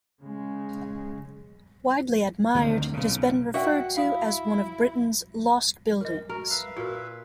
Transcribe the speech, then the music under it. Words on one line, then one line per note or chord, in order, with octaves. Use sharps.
Widely admired, it has been referred to as one of Britain's 'lost buildings'.
C#3 G#3
D2 C3 D#3
B1 C#3
F#4 D5 E5 F#5 G5
E4 F5 D#6
A#4 D#5
F#4 A#4
B4 E5 F5
A#2 F#4 A#4